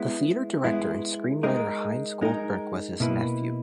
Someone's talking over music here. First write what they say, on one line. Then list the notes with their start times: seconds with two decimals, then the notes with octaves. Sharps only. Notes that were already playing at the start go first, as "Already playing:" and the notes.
The theatre director and screenwriter Heinz Goldberg was his nephew.
Already playing: G#3 B3 E4
0.64 G#3 B3 E4
1.43 G#3 D#4 A#4
2.21 G#3 D#4 A#4
3.00 B2 A#3 E4 B4